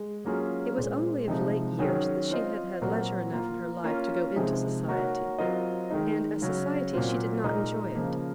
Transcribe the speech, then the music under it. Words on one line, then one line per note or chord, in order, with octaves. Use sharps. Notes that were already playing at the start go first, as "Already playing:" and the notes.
It was only of late years that she had had leisure enough in her life to go into society; and as society she did not enjoy it.
Already playing: G#3
F#3 A#3 C#4 F4 G#4
A#2 G#3 C4
C3 F3 G#3 D#4
D#3 F#3 C#4 G#4 C#5
C4 F4 C5 D#5
A#2 F#3 C4 F#4 A#4
A#3 F4 A#4
A#3 C#4 F4 A#4
C3 F3 G#3 D#4 G#4
A#3 D#4 F#4 A#4 C#5
F#3 C4 F4 A#4 D#5
D#3 G#3 D#4
C#3 F#3 C#4
A#2 F#3 C4 F4 C5
A#2 G#3 D#4 A#4 D#5
C#3 F3 A#3